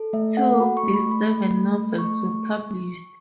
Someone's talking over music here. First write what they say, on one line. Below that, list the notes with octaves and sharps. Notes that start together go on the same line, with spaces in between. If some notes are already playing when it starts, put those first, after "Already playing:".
Two of these seven novels were published.
Already playing: A4
A3 E5
A4 F#5
F#4 B5
C#6
A3
B5
A3
B5
A3 B5
A3
A3
A3 C#6